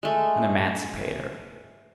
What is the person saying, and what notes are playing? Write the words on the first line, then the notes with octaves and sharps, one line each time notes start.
An emancipator?
G#3 A3